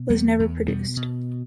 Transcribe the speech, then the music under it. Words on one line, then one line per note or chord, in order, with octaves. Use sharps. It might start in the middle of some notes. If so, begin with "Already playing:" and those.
Was never produced.
Already playing: B2
E2 G3 B3
E2
B2 G3 B3
B2